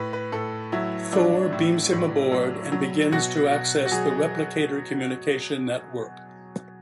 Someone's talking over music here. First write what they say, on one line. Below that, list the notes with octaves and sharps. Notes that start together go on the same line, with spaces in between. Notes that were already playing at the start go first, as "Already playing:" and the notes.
Thor beams him aboard, and begins to access the Replicator communication network.
Already playing: A2 B4
B4
A2 A4
F#3 E4
F#3 D4
A2 E4
A2
F#3
F#3
B2 F#4
B2
F#4
F#3 G#4